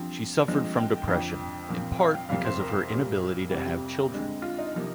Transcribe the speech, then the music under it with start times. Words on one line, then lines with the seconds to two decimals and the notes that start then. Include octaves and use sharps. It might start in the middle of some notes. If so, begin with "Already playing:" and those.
She suffered from depression, in part because of her inability to have children.
Already playing: G2 F3 C4
0.47 G2 F3 G#3 C4
0.77 G5
1.08 F2 D3 F3
1.69 A#2 F3 C4
1.99 F5
2.14 G5
2.29 F2 C3 F3 A#3 F5
2.45 C5
2.60 A#4
2.90 A#2 G3 A#3
3.51 F2 C3 G3 C4
4.13 D3 G#3 C4
4.42 F4
4.58 D#4
4.75 C3 F3 A#3